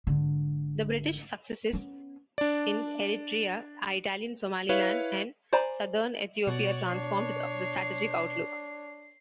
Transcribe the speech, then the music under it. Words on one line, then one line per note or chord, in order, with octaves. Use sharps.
The British successes in Eritrea, Italian Somaliland and Southern Ethiopia, transformed the strategic outlook.
G#1 D3
B3 C#4
D4 D5
E4 B4 C#5 F5
C5 D5 G#5 A#5 B5
B2 F#4 C#5 D5
D4 C7